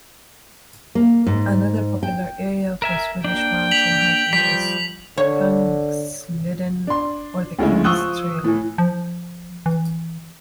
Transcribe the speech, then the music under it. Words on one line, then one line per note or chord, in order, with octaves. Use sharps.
Another popular area for Swedish mountain hiking is Kungsleden, or "The King's Trail".
A#3
G#2
G5
A#4 E5 G#5
A#3 D4 G5
B6 F7 F#7
F3 G3 B6
D3 C#5
D4 C6
D2 C#3 G#3 E4
F3 C#6 D#6 E6 F#6 G7
A2 E3
F3
E3